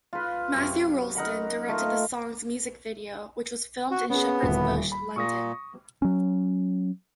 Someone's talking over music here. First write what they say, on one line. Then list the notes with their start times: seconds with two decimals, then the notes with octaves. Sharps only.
Matthew Rolston directed the song's music video, which was filmed in Shepherd's Bush, London.
0.13 F4 B4
0.54 F#2 C3
1.15 D#4 A#4 F#5 B5
1.68 A3 D#4 F4
3.91 F#4
4.10 B3 C#4 G#4
4.43 D#1 D2 B5
4.92 B5
5.16 A#2 C#6 D#6 A#6
6.02 F#3 C#4